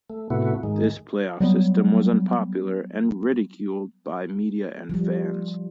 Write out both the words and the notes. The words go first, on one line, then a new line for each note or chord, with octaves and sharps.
This playoff system was unpopular and ridiculed by media and fans.
A3
A2 C3 A3 B3 E4 F#4
G#2 D#3 G#3
F#3 G3 B3
F3 G3